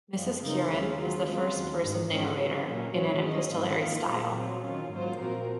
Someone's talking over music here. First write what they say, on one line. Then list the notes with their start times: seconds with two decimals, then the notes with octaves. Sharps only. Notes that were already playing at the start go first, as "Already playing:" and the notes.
Mrs Curren is the first person narrator in an epistolary style.
0.14 F#2 F3 G#3
0.42 C#3 F3 C4 D#4 A#4
0.70 D#2 C#3 G#3 C#4 F4
0.98 C#3 F#3 C#4 F4
1.26 C#3 G#3 C4 F4
1.54 D#2 C#3 F#3
1.83 G#2 D#3 G#3
2.10 F3 G#3 C#4
2.39 C3 F#3 C#4
2.67 A#2 F#3 A#3 C#4
2.95 G#2 F#3 C#4 F#4 C#5
3.23 D#3 F#3 C#4 G#4 D#5
3.51 G#2 F3 C4 F4
3.79 F2 D#3 A#3 F4
4.08 A#2 F3 G#3
4.36 F#3 C4 F4
4.63 D#3 F#3 C#4 F4
4.92 G#2 F#3 A#3 F4 C5
5.19 A#2 F3 C4 F#4 A#4